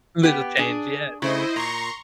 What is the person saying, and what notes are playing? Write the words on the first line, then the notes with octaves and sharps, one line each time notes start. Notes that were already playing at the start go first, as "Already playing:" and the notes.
Little change, yeah;
B3 G4
D4 G#4
C#3 A3 E4 C5 D#5
A#2 A#5 C6 C#6